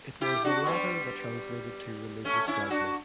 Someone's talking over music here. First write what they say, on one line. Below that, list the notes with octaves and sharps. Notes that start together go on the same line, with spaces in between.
It was the latter that translated to religious dogma.
E4 G4
D4 F#4
G3 B3
A3 C#4
C#4 E4
D4 F#4